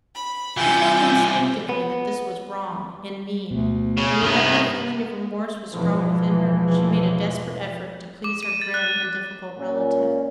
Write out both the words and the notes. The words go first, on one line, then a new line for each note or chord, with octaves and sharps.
She felt instinctively that this was wrong and mean, and whenever the feeling of remorse was strong within her she made a desperate effort to please her grim and difficult relative.
B5
C3 E3 G3 F4 G5 G#5 G6 A6
B3
D2 B2
C#3
G2 C3 D#3 B3
E2 G#2 B2 E3 F3
D6
D#7
A6
F#6
A#2 C#4